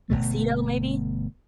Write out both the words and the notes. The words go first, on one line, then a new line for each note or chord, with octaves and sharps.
Tuxedo, maybe?
G1 E2 B2 A3